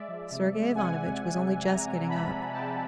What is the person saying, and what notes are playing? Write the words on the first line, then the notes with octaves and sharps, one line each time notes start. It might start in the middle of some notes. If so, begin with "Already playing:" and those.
Sergey Ivanovitch was only just getting up.
Already playing: G#3 D5 E5
F3
C3
G#3
C4 F#5 G#5
C4
F3
C3
G#3 G#5 A#5
C4
F3 A5 B5
F3
G#3 G5 A5